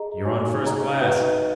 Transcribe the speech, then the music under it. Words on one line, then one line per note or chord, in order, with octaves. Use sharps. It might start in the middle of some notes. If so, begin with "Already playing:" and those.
"You're on first-class."
Already playing: G#4 D#5 A#5
D#4 F#4 C#5 G#5
D#4 G#4 D#5 F#5 A#5
D#4 F#4 B4 D#5